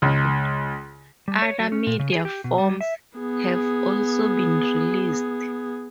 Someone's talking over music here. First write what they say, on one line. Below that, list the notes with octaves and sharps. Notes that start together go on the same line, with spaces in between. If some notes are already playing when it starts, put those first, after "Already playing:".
Other media forms have also been released.
C#2
G3
C#5
F#3
C#4
A#2
C#3
G#4
G4
B2
G3
E5
B3 G#4